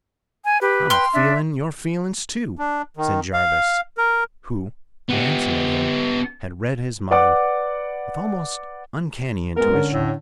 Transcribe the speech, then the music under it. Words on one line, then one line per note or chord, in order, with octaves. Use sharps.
"I'm feelin' your feelin's too," said Jarvis, who, glancing at him, had read his mind with almost uncanny intuition.
G#5
G4 B4
G5 C6 F6
D4 E5
D4
D#3
F5
A#4
B3 G4
B4 D5 F#5 D6
G#3 B3 A#4
D3 C#4
A2